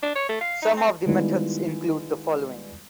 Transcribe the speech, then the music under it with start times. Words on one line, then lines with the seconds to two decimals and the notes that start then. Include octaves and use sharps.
Some of the methods include the following.
0.03 D4
0.15 C#5
0.29 A3
0.41 F5
0.62 D#4
0.77 C4
1.06 D#3 G3 G#3 B3 E4 F4